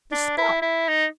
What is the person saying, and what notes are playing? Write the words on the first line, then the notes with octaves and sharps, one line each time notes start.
The spot!
D4
E4
E4
D#4